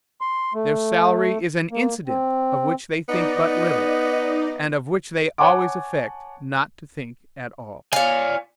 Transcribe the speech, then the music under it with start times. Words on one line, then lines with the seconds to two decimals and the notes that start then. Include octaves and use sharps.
Their salary is an incident of which they think but little, and of which they always affect not to think at all.
0.21 C6
0.54 A3
1.71 A#3
2.07 C4
3.08 B3 D#4 D5 D#5
5.38 C#5 F#5 G#5 A5 C#6 D6
7.93 C#5 D5 F5 G#5